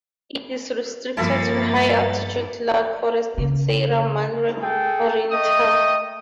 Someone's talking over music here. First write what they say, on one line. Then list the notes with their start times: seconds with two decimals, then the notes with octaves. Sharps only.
It is restricted to high altitude cloud forests in the Sierra Madre Oriental.
1.17 G2 F3 A#3 E4 A4 A5 B5 A6
3.38 C#3
4.62 G#4 A4 G5
5.32 A3 D#5 G5 D#6